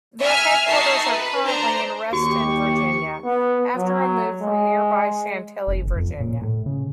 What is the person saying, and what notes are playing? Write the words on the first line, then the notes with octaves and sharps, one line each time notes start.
Their headquarters are currently in Reston, Virginia after a move from nearby Chantilly, Virginia.
E5 G#5 F6
D#4 F#4 E5 A5 C7
B4
D4 C5 A#5
D#2 F#4 G4 C#6
B3
F#3
G#3
F1
G1
F2
A#2
A2
C#3